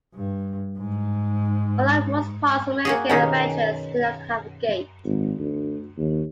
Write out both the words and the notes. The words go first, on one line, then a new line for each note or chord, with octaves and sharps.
Unlike most parks, American Adventures did not have a gate.
G2
G#2
A#3 F#4 G#4
B2 D#3 C#4 D#4 G4 G#4
G#1
D2
D#2